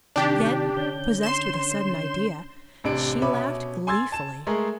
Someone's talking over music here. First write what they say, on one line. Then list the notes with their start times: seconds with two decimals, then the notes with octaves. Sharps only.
Then, possessed with a sudden idea, she laughed gleefully.
0.16 C3 D#3 D4 G4
0.77 D3 C#4 G6
1.23 C6 E7
2.84 A1 C3 D4 D7
3.22 B2 C#4 E5 B5 D6
3.87 G#5 C6 E6 G#6 A6
4.12 A5 E7
4.47 G#3 A3 G#4 A#4